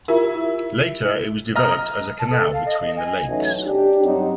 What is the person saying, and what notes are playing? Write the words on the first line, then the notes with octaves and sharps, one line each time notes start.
Later it was developed as a canal between the lakes.
E4 F4 G4 A#4
D#5 A#5 F6
A5
A4
F5
D#5
D#5
G#5
E2 B2 F#3 A3 C#4 D#4
D4 G4
G2 F#3 C4 D#4